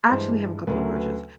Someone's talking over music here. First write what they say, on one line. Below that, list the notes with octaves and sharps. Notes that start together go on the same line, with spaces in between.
I actually have a couple of approaches.
G2 E3 G#3 C5
D2 C#3 F#3 A3 B4
A#4
B4